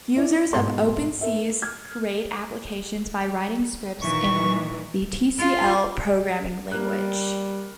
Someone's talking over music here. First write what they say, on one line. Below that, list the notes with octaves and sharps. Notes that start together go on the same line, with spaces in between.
Users of OpenSees create applications by writing scripts in the Tcl programming language.
E4 D5
G#2 B2 C6
A4 A#4 E5
F6 G#6
A#2 D#3 E3 C#6
F4
G3 A#3 F#6